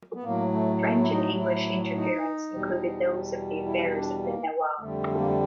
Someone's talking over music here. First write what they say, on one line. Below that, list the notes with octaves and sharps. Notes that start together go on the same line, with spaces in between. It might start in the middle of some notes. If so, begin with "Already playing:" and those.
French and English interference included those of the affairs of the Nawab.
B3
A2 F#3 A#3
A3
A3
E4
D#4
E4
D#4
E2 B2 G3
E4
D#4
D4
A#3
F2 D3 G3 A3
A#3
A3